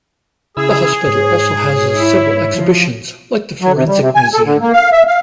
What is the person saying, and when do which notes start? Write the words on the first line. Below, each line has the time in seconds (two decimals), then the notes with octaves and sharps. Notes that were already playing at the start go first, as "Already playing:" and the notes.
The hospital also houses several exhibitions, like the forensic museum.
0.57 C#3 E4 G#4 E6
1.06 G#2 C#5
1.66 C#5
1.95 E4
2.55 F3
3.62 F#3
3.76 C3
3.88 G3
4.01 C3
4.15 G#5
4.33 A4
4.45 D3
4.61 A#3
4.73 F5
4.92 E5
5.07 F5